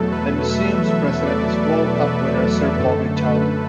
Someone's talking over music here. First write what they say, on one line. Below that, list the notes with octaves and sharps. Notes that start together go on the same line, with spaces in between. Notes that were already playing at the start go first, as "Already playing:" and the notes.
The museum's president is World Cup winner Sir Bobby Charlton.
Already playing: E2 B2 F#3 A3 A4
B4
E5
E5
D5
D5
B4
F#2 D3 A3 A4
B4